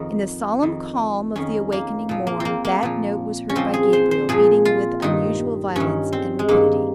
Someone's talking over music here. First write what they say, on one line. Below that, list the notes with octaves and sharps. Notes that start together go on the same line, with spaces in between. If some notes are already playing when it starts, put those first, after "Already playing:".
In the solemn calm of the awakening morn that note was heard by Gabriel, beating with unusual violence and rapidity.
Already playing: F2 D#3 C4
F2 D#3
F2 D#3 C#4
A#3
A#2 F3
A#3
C4
A#3
A#3
A#2 F3
C#4
A#2 F3 C4
G#4
C5
C5
A#2 F3 G#4
F4
G2 D#3 D#4
G2 D#3 C#4
C4
G#3
G2 D#3 A#3